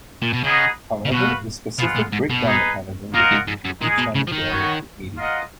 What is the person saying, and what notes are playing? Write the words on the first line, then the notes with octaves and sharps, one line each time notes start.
However, the specific breakdown mechanisms are different for each kind of dielectric medium.
A#2
B2
C#3 B3 D#4 G#4 D#5 F#5
C#3
B2 F#4 B4 F5
B2 G#3 B3 F4 B4 F#5
A#2
G#2
B2
D#4 G#4 B4
A#2 A#3 F4 A#4 D#5 F#5
G#2
G#2
F#2
A#2 G#3 D#4 G#4
B2
C#3
F3
D#3
B3 F#4 C#5 F#5
F4 A#4 D#5 F#5